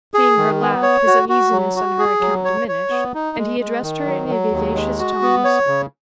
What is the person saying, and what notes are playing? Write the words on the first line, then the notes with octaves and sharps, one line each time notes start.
Seeing her laugh, his uneasiness on her account diminished, and he addressed her in a vivacious tone himself.
G#4
D#3
B3
C#5
F#4
F#4
F#3
F#4
G#4
F#3
C#5
C#5
B3
D#4
G#3
G#3
D#3
F#3
F#3
D#2
G#3
F#4
B3
C#5
C#3